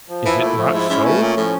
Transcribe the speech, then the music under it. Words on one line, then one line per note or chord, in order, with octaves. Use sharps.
Is it not so?'
F3
E3 E4
A#2 A3
A2 F3
G#2 E4
G#2 C#4
B2 A3
A#2 C#4
A2 F3